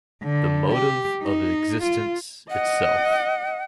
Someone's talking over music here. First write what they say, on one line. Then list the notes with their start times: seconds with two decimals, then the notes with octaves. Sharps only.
The motive of existence itself.
0.23 D3
0.72 G4
1.23 D#4
1.83 F4
2.50 D#5 F#5